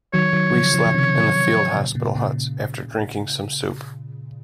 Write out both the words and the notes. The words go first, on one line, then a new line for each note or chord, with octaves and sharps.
We slept in the field hospital huts, after drinking some soup.
D#3 F#3 C#5
D#3 F#3
C#3 F3
C#3 F3
C#3
C3 D#3
A#2 C#3
A#2 C#3
A#2 C#3